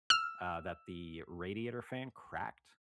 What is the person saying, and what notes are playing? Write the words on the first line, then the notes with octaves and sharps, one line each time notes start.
uh, that the radiator fan cracked,
E6 F6